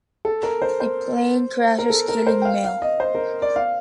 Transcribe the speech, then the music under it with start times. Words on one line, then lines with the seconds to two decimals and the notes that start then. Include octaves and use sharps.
The plane crashes, killing Mel.
0.25 A4
0.43 A#4
0.62 C5
0.80 C5
1.78 A#4
1.90 A4
2.08 A#4
2.27 C5
2.42 G5
2.45 F5
2.64 F5
2.82 D#5
3.00 C5
3.15 A#4
3.42 D5
3.56 F5